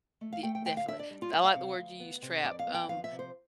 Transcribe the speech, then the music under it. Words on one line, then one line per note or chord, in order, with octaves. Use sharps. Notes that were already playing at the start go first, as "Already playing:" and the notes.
De Definitely. I like the word you use, "trap". Um,
A3
F5
A3 G5
G5
D3 G5
F5
D4 E5
D5
G3
F4
G3 E5
F5
C3
D2
B3
C3
F2 D5
F5
B3
G5
F3 F5
E5
C3
C5